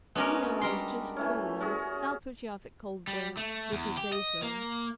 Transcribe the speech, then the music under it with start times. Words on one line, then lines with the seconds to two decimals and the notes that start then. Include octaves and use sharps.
"You know I was just fooling. I'll put you off at Cold Branch, if you say so."
0.15 G#3 B3 C#4 D4 F#4 A#4
0.61 G3 A#4 C6
1.17 E3 A3 C#4
1.61 C#4 F#4 G#4
3.08 G3
3.37 A3
3.72 E2
3.97 G4
4.13 D#5
4.43 A#3